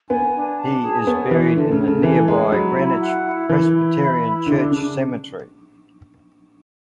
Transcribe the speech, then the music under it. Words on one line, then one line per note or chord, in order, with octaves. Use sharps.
He is buried in the nearby Greenwich Presbyterian Church Cemetery.
B3 G#5
D4
A5
G#4
B3 C#4
E3 C#4
D3 A4
C#3
A4
C#3
E3 G#5
G#3 G#4
F#3 B5
E4
F#5
E4
E3 E4
E4
B5
E4
D3 D4
C#3 D4